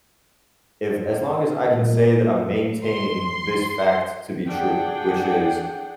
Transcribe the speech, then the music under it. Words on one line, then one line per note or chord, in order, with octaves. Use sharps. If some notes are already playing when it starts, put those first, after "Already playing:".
if as long as I can say that I'm maintaining this fact to be true, which is,
A#2
C6
D4 G#4 F#5 G5